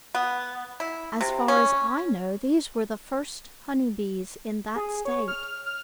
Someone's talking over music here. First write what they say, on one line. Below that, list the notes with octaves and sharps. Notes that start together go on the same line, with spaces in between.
As far as I know these were the first honey bees in that state.
B3
E4
C3
C#4
G#4
C#5
F6
F6